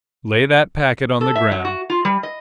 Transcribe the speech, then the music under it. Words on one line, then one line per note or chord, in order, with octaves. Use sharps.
"Lay that packet on the ground."
A4
E5
F#3
F#4
F4
G3
D#5